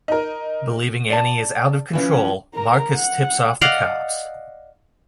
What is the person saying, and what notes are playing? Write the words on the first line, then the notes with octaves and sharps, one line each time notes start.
Believing Annie is out of control, Marcus tips off the cops.
D#4 A#4
D5 A5
E3 F3 C#4
A#4 A#5
F#5
D5 D#5 F5 F#5